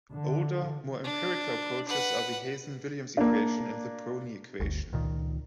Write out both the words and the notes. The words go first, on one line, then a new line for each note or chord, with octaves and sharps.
Older, more empirical approaches are the Hazen-Williams equation and the Prony equation.
D3
D4
B4 F#5
A#3 D4
G1 D2
C#2 A#2 D#3